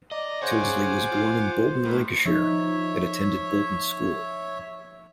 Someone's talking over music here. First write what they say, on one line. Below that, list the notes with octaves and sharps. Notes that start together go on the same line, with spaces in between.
Tyldesley was born in Bolton, Lancashire and attended Bolton School.
D5 D#5 A#5
G#4 C5 C#5 F#5 G#5 D6
F4
A2 A#4 B4
F3 D#4 C#5 E5